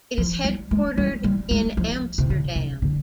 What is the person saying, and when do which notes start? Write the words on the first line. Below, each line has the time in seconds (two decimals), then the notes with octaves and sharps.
It is headquartered in Amsterdam.
0.18 F3
0.44 G3
0.71 G#3
0.97 G3
1.24 G3
1.51 G#3
1.77 F3
2.18 C3
2.30 D3
2.56 C3
2.82 D3